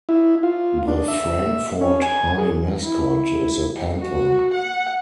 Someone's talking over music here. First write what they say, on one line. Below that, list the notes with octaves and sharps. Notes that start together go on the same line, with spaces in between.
The Frankfort High mascot is a panther.
E4
F4
D4
E5
C#4
G#5
G#4
E4
F#4
F#5